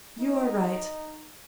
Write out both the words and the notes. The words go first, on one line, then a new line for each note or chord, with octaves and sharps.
'You are right.
D#4